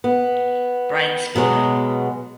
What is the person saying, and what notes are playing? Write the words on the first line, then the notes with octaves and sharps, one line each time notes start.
Brian Spooner.
B3
B2 F#3 G#3